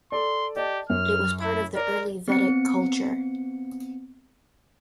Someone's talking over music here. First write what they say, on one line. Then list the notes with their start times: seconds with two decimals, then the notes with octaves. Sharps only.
It was part of the Early Vedic culture.
0.12 A4 D5 C6
0.57 G4 D5 D#5 A5
0.90 F#2 F6
1.41 E4
1.76 A#4 D5
2.28 B3 C4 C#7